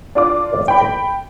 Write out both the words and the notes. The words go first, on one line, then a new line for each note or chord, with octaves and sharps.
Oh, thanks.
D4 F4 D6
G5 B5